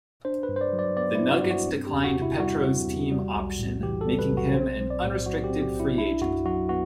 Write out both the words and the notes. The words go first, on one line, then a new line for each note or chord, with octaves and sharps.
The Nuggets declined Petro's team option, making him an unrestricted free agent.
D4 C5
B4
G2
C5
D5
F#3
D5
B3 D5
E4
D4
F#4
G2
F#4
C4
G4
E2
F#4
C3
E4
G3 F#4
C4
E2
G3
B1
A2
E3 G4
A4
G3
B4
B1
F#4
C4 C5
B1
D5
A2
F#3 F#4
G4
C4
G4
B1
E4
D4 E4
F#2 F#4
F#3 F#4
B3 F#4